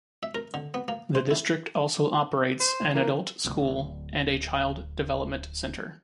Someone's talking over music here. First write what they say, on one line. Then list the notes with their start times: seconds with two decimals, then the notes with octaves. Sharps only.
The district also operates an Adult School and a Child Development Center.
0.23 E5
0.35 A#4
0.54 D3
0.74 B3
0.88 A#3
1.15 C5
1.31 E4
2.60 C5
2.81 C2
2.95 E3 A#3 A#4
3.45 D1 D3